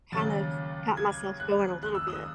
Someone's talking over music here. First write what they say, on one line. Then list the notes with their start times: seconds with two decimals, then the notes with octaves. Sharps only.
kind of got myself going a little bit,
0.12 D#2 C#3 F#3 A6
0.97 G#6
1.40 F#6
1.83 F#6
1.95 E6
2.08 D#6